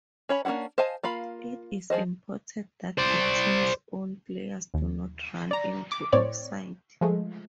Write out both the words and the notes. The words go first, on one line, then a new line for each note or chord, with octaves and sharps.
It is important that the teams own players do not run into offside.
C#4 C#5 B5
A#3 C#4 D4 E4 F#5
C5 D#5 F5 G#5 A5
A#3 F4 F5 B5
F3 G#4 C5 D#5
C5 D5
D#2
D5 A#5
D6
A2 C4 C#5 D5
F3 G#3 A3